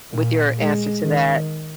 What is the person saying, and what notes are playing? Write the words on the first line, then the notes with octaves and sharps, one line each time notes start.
with your answers to that.
A#2
G#3
D#3